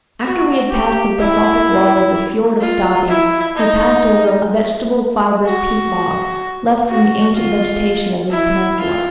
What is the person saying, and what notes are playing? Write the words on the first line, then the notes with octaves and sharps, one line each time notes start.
After we had passed the basaltic wall of the fiord of Stapi we passed over a vegetable fibrous peat bog, left from the ancient vegetation of this peninsula.
F#4
G4
E4
F4
E4
D#4
F#4
F#4
F4
E4
F4